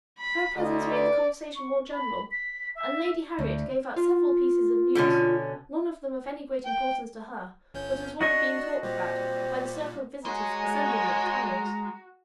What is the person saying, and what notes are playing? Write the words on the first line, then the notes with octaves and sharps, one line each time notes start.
Her presence made the conversation more general, and Lady Harriet gave out several pieces of news, none of them of any great importance to her, but as what had been talked about by the circle of visitors assembled at the Towers.
B5
D2 D#5
B4 D5
C#6
B5
B6
E5
D2
F4
B2 D3 C#4
G5
G1 C#4 G6
D4 F#4 D#5 C#6
A#2 G3 C4
G#3 F#4 C#5 D#5 G#5 A#5